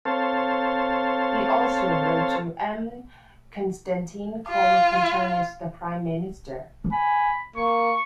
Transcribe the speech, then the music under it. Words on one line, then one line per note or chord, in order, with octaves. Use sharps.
He also wrote to M. Constantine Colocotronis, the Prime Minister.
C4 A4 C5 C#5 F5 A5
F4
G#5 B5
A#3 C#6